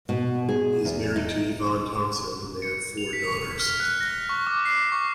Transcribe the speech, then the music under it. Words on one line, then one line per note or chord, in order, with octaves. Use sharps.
He is married to Yvonne Thomson and they have four daughters.
B2
G#4
E2
D#4
C#7
F7
B6
F6
F#6
A#6
C#6
D6
C7
C#6